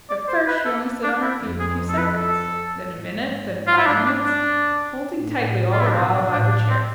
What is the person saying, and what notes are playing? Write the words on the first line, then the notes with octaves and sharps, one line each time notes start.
At first she only stood on her feet a few seconds, then a minute, then five minutes, holding tightly all the while by the chair.
D5
C5
B4
A4
D4
E4
F2
G#4
A4
B4
A4
G#2
F4
E4
D4
D4
D4
A2
F4
E4
D4
B2 C4
D4
A2 D4
D4
C4